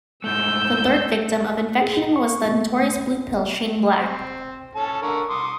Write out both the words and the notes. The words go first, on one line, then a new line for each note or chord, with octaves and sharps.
The third victim of infection was the notorious bluepill Shane Black.
G#2 A3 E6 G6
G#4
D#4
C#6
A3
C4
C#4 A4 A5
D3 A#4 C#6
C6 D6 D#6